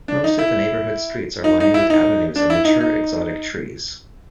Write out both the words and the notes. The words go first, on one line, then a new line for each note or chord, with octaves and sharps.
Most of the neighbourhood's streets are lined with avenues of mature exotic trees.
D4
D#4
E4
D#4
D#4
E4
D#4
D4
E4
D#4
D#4